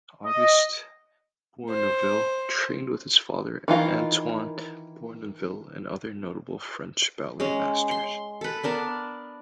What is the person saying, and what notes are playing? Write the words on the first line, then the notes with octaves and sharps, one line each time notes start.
August Bournonville trained with his father Antoine Bournonville and other notable French ballet masters.
D#5
C5
D#3 E3 F4 A#4
G#3 C#4
C6
A4 B4
B3 D4 A#4 A5